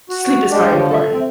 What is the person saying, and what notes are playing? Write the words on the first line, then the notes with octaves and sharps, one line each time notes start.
sleep is very important.
F#4
G#3 D4 G4
D3 F3 G4 C#5
A4 E5
C4